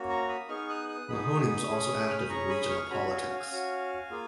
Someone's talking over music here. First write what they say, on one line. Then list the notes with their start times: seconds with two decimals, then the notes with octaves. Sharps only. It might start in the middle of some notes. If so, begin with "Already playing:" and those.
Mahony was also active in regional politics.
Already playing: A#3 C#4 F#4
0.09 A#5 C#6
0.28 B5 D#6
0.49 B3 D#4 G#4 C#6 F6
0.69 D#6 F#6
0.89 D#6 F#6
1.09 B3 D#4 G#4 B5 D#6
1.69 C#4 G#4
1.99 F#6
2.10 F6
2.19 D#6
2.29 C#4 G#4 A#5 C#6
2.50 B5 D#6
2.69 C#6 F6
2.90 C#4 F#4 G#5 B5
3.10 F5 G#5
3.29 F5 G#5
3.50 C#4 F#4
4.11 A#3 F4 G#4